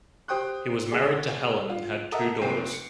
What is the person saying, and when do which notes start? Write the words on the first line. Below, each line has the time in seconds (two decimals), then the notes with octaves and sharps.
He was married to Helen and had two daughters.
0.28 G4 C5 G5 D#6 F#6
0.91 D2 G#3 G#4 D5
1.70 F4
2.12 A4 A#4 D#5 E5 F#5
2.41 F1 A#2 C4 G5 C7 D7
2.73 C#7